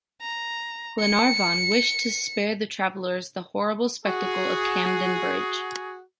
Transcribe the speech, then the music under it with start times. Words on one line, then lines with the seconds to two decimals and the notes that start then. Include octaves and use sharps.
Glenarvan wished to spare the travelers the horrible spectacle of Camden-Bridge.
0.21 A#5
1.00 C#7
4.05 F#4 G#4